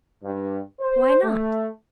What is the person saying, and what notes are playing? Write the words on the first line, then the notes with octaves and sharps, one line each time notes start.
Why not?
G2
C5
A3